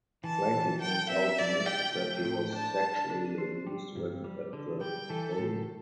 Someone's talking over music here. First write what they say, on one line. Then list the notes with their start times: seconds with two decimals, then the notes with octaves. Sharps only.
Frankie points out to Mick that he was sexually abused when at the home.
0.24 E3 A5
0.53 E3
0.81 A4 G5
1.10 C4 E5
1.38 E4 D5
1.66 G4 G5
1.95 A3 G5
2.24 A2
2.53 D4 A5
2.81 D4
3.10 D4
3.38 C5
3.67 G3
3.96 G2
4.24 G3
4.53 D3
4.81 G3 G5
5.09 E3 A4
5.38 A2